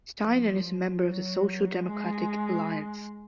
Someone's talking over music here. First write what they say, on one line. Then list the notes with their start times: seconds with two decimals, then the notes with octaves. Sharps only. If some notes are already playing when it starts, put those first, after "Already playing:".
Steinunn is a member of The Social Democratic Alliance.
0.22 F3
1.03 F#3
1.85 G#3